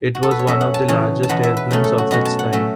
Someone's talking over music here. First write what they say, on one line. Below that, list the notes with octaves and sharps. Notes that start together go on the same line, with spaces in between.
It was one of the largest airplanes of its time.
F#4
A4
B4
C#5
F#2 F#3 C#4 E5
F#5
A5
C#3 E3 C#4 A5
A5
E2 B2 B3 F#5
E5
B4
F#2 C#3 A3 C#4
A4
F#4
B2 F#3 C#4 F#4
A5
F#5
F#3 A3 C#4 E5